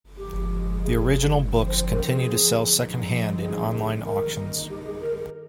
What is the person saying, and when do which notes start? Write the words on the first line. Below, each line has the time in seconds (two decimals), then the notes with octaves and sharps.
The original books continue to sell second-hand in online auctions.
0.18 G#2 F3 G#3 G4
0.83 G#4
1.47 D3 F3 C4
1.68 C5
1.89 A#4
2.11 G#4
2.75 G2 D3 F3 C4 D#4
3.40 G#4
4.05 G2 D#3 A#3 D#4 A#4
4.70 G4
4.86 G#4
5.02 A#4